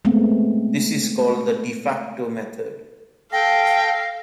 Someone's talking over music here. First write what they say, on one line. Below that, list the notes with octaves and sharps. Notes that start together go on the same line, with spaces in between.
This is called the "de facto" method.
G#3 A3 B3 C4
A4 F5 G5 A#6